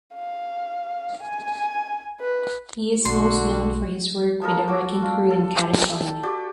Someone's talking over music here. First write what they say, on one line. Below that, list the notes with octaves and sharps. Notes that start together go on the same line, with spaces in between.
He is most known for his work with the Wrecking Crew in California.
F5
G#5
B4
B1 D3 F#4 C6
F3 G#3 A4 A#4
F#4 D6 E6
D4 F4
A4
G4
F#4 G4 D5